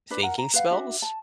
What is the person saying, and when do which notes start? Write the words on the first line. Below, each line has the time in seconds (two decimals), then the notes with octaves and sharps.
"thinking spells"?
0.10 D4 B4
0.23 A#4 F#5 A#5
0.38 A#5
0.54 B4 F5 F#5
0.70 D4 F#4 E5
1.02 A5